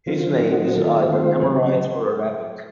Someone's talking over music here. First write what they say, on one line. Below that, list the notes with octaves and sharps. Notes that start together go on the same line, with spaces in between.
His name is either Amorite or Arabic.
D#3 F#3 C4 F4
F#3 C4 D#4 F#4
D#3 A#3 F4 A4
D#3 A3 C4 F4 C5
C#3 F#3 C4